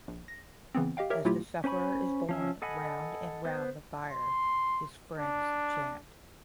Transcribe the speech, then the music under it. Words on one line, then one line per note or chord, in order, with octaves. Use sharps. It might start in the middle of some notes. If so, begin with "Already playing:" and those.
As the sufferer is borne round and round the fire, his friends chant.
A#1
A#6
C#3 E3 B3 C4
G4 D#5 F5 G5
G4 A#4 C#5 E5
A#2 F#3 A3 E4 F4 G4
C#4 C5 G#5 B5 C#6
F3 C#4 E5
A4 D#5 F#5 G#5 B5
B3 C5
C6
D4